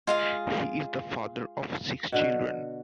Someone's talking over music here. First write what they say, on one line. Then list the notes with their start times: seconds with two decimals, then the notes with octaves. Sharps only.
He is the father of six children.
0.07 G#3 F4 G#4 F5
2.12 B2 D3 F#4